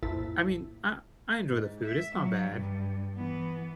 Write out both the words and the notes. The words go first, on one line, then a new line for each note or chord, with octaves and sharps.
I mean, I I enjoy the food, it's not bad,
A#1 F2 A2 E4 A5
G#2
E5
F#3
G2
E3 B3